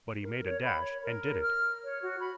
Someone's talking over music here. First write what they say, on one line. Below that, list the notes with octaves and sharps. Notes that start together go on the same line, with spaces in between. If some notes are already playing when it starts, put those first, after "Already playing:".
But he made a dash and did it.
A#4
C#5
B5
C#5
A#4
F6
C#5
F#4
B5